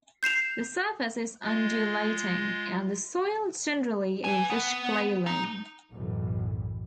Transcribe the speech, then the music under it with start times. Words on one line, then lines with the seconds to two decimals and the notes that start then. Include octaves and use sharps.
The surface is undulating, and the soil generally a rich clay loam.
0.23 G6 C7 E7 F7
1.42 G#3 F4 D#5
4.24 B4 G#5
4.50 B3
5.27 D#4
5.92 B1 F#2 A2 E3